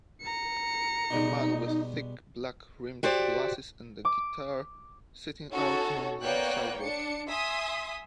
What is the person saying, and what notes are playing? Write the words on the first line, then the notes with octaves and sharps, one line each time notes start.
A man with thick black rimmed glasses and a guitar sitting out on the sidewalk.
A#5 C#7
B2 G3 G#3 D#4
F#4 G4 C5 D5
D6
C#4 D#4 F#4 A4 C#5
A#3 B3 C#5 D5 G5 F#6
D4 C#7
E5 G#5 C6 D#6 B6